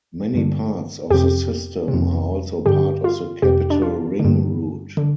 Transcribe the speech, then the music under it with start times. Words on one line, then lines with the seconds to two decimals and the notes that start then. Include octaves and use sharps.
Many parts of the system are also part of the Capital Ring route.
0.34 G2 D3
1.10 F2 C3 G4
1.88 C3
1.93 F2
2.66 G2 D3 G4
3.04 F4
3.42 F2 C3 G4
3.70 D4
3.82 F4
4.20 G2 D3
4.97 D3